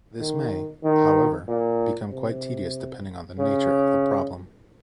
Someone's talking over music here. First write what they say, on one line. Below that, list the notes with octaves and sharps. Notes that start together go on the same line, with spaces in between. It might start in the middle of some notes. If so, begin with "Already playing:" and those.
This may, however, become quite tedious depending on the nature of the problem.
D#3
D#3
A#2
C3
C#3